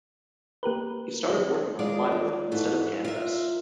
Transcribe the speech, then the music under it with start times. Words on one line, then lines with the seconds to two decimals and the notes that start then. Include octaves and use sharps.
He started working on plywood instead of canvas.
0.63 A#3 G4 A#4 B4
1.79 D#2 G#3 F4 D5
2.52 G#2 E3 A3
3.05 F4 A#4 E5